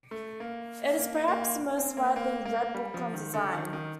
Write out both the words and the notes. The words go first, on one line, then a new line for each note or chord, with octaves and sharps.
It is perhaps the most widely read book on design.
A3
A#3
A#3
A#3
C4
A#3
A#3
A#3
G3
F3
D#3
D3
D#3
D#3